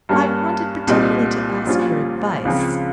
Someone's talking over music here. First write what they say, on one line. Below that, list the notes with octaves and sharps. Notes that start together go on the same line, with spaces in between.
"I wanted particularly to ask your advice."
G2 G3 A#3 C#4
C2 A#2 G3 C4 D#4
A#1 A#2 G3 C#4 F4
C#2 C#3 F3 C4